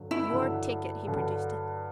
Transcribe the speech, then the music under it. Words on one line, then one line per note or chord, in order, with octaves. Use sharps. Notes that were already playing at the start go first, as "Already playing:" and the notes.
"Your ticket." He produced it.
Already playing: G2 D3 F#3
E4
G2 D3 F#3
G2 D3 F#3